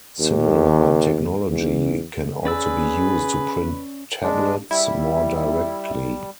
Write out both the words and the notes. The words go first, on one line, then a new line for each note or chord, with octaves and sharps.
Similar technology can also be used to print tablets, more directly.
D#2
E2
C#4 G#4 B4 D5 E6
G#3 D4
G3 E4